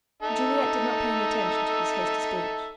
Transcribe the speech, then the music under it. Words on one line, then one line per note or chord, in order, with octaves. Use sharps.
Juliet did not pay attention to this hasty speech.
D#4 A4 E5